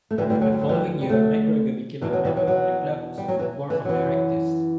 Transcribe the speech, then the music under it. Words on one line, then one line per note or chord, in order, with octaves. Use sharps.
The following year McGregor became a member of the club's board of directors.
A3
D2 D3 E3 G3
E3 G3
F#3 A3
G3
F#3
E3 G3
G3
F#3 A3
E2 B2 E3
F#3
E3 G3
F#3
F#3
G3
F#3
E3
E3
F#2 E3 F#3